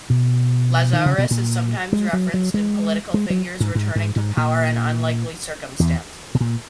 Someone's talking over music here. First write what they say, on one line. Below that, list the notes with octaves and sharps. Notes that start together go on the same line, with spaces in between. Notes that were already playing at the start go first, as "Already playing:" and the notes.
Lazarus is sometimes referenced in political figures returning to power in unlikely circumstances.
B2
D#3
C#3
B2
A#2
G#3
F#3
F#3
G#3
G#3
F#3
G#2
G#2
G#2
G#2
A#2
E2
B2
A#2